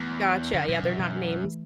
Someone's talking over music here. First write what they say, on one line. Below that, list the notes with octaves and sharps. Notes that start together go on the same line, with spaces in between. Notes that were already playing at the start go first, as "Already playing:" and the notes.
Gotcha. Yeah, they're not names,
Already playing: E2 E3 A3
F#2 D3 F#3
F#2 B2 E3
B2 E3
B2 E3
F#3
E3 A3